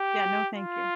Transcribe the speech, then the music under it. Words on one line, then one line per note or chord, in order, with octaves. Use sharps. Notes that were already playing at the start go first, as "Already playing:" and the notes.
Yeah, no, thank you.
Already playing: G4
F4